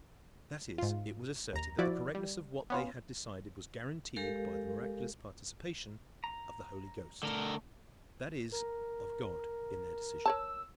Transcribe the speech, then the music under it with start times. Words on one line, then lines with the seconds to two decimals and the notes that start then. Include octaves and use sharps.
That is, it was asserted that the correctness of what they had decided was guaranteed by the miraculous participation of the Holy Ghost, that is, of God, in their decision.
0.78 G#2 F4
1.53 D#2 A#5
1.79 F3 E4 F#4 D5
2.15 G3
2.70 B3 C#4 F4
4.16 G#3 G4 A4 A#4 F5
6.24 A#5
7.23 D3 A3 A#4
8.52 A#4
10.26 A#4 C#5 A5 E6